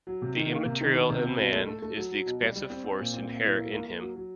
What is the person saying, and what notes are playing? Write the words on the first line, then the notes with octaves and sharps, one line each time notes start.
The immaterial in man is the expansive force inherent in him.
F#3
C3
D#3
A#3
C3
D#3
D#3
C3
C4
B2
A3
A3
A3
F#3
F#3
B2
G3
G3
C4
C4
A#2
C4
A#2
E4
A#3
A#3
A#3
F#3
F#3